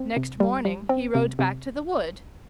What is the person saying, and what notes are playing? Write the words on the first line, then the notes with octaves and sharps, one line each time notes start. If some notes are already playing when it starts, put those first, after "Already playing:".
Next morning he rode back to the wood.
Already playing: C4
C3
G3
G3
C4
C3
C3